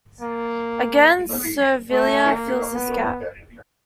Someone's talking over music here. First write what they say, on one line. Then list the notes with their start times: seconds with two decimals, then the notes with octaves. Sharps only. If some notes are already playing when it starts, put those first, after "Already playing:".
Again, Servilia fills this gap.
0.21 A#3
1.91 A3
2.34 A#3
2.76 B3